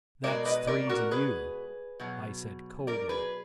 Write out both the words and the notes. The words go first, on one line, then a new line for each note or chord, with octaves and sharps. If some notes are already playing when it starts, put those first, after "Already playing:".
"That's three to you," I said coldly.
B2 G#3 A#4 D5
B4 D#5
A#4 D5
F#4 A#4
G#4 B4
B2 F#3
A#4 D5
G#4 B4